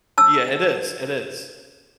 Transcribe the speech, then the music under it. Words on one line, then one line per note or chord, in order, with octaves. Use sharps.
Yeah, it is, it is,
A5 E6